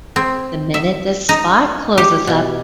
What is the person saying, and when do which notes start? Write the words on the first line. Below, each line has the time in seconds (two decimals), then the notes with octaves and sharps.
the minute this spot closes up,
0.16 C4
0.74 E5
1.29 D#4
1.98 G4
2.27 B2